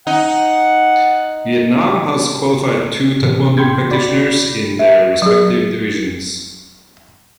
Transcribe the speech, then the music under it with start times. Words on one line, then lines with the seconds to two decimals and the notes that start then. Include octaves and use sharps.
Vietnam has qualified two taekwondo practitioners in their respective divisions.
0.07 D#4 F#5
3.22 A2 C3 E3
3.57 G5 B5 C6 G6 G#6
3.89 F#4 D5 B5
4.79 E5
5.22 F#3 G#4